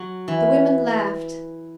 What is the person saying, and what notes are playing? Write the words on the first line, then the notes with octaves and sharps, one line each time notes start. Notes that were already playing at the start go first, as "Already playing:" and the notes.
The women laughed.
Already playing: F#3
E3